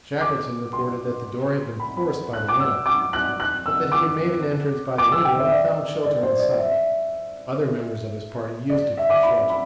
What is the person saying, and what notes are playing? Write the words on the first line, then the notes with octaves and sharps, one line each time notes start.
Shackleton reported that the door had been forced by the wind, but that he had made an entrance by the window and found shelter inside--other members of his party used it for shelter.
D6
C6
B5
B5
F#6
D6
E6
D6
F#6
F#6
E6
D6
D6
E6
G5
E5
D5
D5
C5
D5
E5
D5
E5
D6
B5
B5